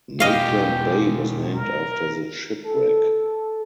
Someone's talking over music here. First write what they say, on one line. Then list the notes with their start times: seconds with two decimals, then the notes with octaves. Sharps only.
Maitland Bay was named after the shipwreck.
0.20 B2 G#3 G4 D#5 F5
1.52 A#4
2.64 A4